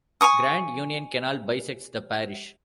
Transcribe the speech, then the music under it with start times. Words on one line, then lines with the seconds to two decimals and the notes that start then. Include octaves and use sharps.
The Grand Union Canal bisects the parish.
0.21 G#5 A#5 C#6 D#6